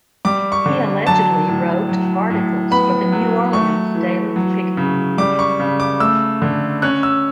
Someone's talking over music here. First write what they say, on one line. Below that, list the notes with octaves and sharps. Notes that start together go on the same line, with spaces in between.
He allegedly wrote articles for the "New Orleans Daily Picayune".
G3 D6
C#6
D3
F#3 A5
A2
F#3
A2
B3 B5
F#3
A3 C#6
E3
F#3
C#3
G3 D6
C#6
C#3
D6
A3 E6
D3
C#4 F#6
E6